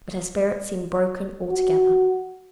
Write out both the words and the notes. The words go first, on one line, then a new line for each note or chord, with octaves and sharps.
But her spirit seemed broken altogether.
F#4